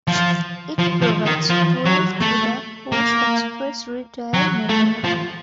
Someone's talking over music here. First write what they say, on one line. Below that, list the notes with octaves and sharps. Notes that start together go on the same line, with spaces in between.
It provides fuel to the Coles Express retail network.
F3
F3
F3
D#3
F3
F#3
A3
A#3
F#3
A3
F3